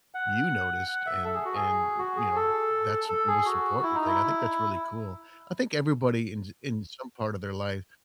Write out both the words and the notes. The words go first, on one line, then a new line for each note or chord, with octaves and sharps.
you noticed, and and, you know, that's the most important thing, I think that's really cool. I think everybody in in some part of their life,
F#5
F#5
E5
A4
G#4
F#4
G#4
F#4
G#4
A4
A4
G#4
F#4
E4
D#4
E4